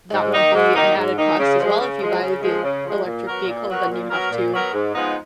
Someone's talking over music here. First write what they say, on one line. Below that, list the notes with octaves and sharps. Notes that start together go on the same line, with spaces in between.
that won't be an added cost as well, if you buy the electric vehicle, then you have to,
G#2
D#3 A#3 D#4
G#2
D#3 A#3 D#4
G#2
D#3 A#3 D#4
C#3
F3 G#3
C#3
F3 G#3
C#3
F3 G#3
C#3
F3 G#3
A#2
F#3 B3 F#4 A#4
A#2
F#3 B3 F#4 A#4
A#2
F#3 B3 F#4 A#4
A#2
F#3 B3 F#4 A#4
G#2
F3 G#3 B3 D#4